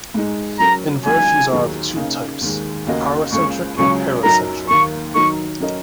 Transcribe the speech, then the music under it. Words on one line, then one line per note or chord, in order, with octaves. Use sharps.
Inversions are of two types: paracentric and pericentric.
G#2 G#3 D#4
F#3 C#4 A#4 A#5
C#2 C#3 F#3 A#3 D#4 G#5
D#2 D#3 F#3 D#4 G#4
C#3 A#3 D#4
D#2 D#3 G#3
D#2 C#3 A#3 F#4 D#5
C#2 C#3 A#3 C#6
C#2 C#3 F#3 C#4 C#6
F#2 F#3 D#4 A#4 A#5
D#2 D#3 A#3 C#6
D#3 F#3 D#4 A#4 C#6
F#3 C#4 A#4 D#5